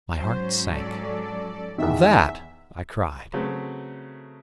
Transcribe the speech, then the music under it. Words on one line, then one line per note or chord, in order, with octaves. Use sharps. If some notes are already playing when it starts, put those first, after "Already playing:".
My heart sank. "That!" I cried.
G#2 F#3 C#4 C5
A4 D5
E2 D#3 E5
C#3 F#3 A3 C4 A4 B4